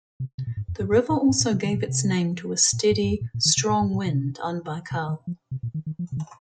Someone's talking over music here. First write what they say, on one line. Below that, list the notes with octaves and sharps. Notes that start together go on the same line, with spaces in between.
The river also gave its name to a steady, strong wind on Baikal.
C3
C3
A#2
G#2
F2
G#2
G#2
A#2
G#2
A#2
C3
D#3
C3
A#2
C3
A#2
G#2
G#2
F2
A#2
A#2
D#3
C3
A#2
G#2
A#2
C3
C3
D#3
F3
C3
A#2
D#3
D#3
F3
C3
D#3